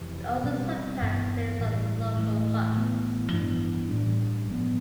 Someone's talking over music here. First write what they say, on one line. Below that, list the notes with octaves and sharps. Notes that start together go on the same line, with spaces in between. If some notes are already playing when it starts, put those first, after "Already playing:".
It also sometimes lives on local huts.
Already playing: F2 C3 E3
B2 G3 C4
G2 E3 B3
A2 E3 G3
A2 E3 A3
A2 E3 B3
G2 E3 B3 D4
A2 G3 D4
G2 F3 B3